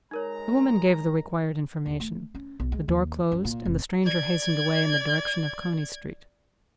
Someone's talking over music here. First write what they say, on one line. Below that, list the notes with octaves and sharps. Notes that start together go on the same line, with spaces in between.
The woman gave the required information, the door closed, and the stranger hastened away in the direction of Coney Street.
G#3 D#4 A#4 C#5 A#5
D#2
A3
C#4
B1
G#3
D#2
F#2
A#2
F1
D5 G#6